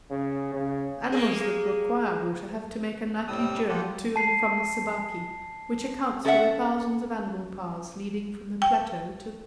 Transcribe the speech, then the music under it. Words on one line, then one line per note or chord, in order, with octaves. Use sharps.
The animals that require water have to make a nightly journey to and from the Sabaki, which accounts for the thousands of animal paths leading from the plateau to the river.
C#3
C#3
G#3 A#3 G#4
A2 C3 G3 C4 D#6 E6
A#3 B3 F4 G4 A4 F#5
A5 C7
C#4 A4 C#5 D5 E5 F#5
G5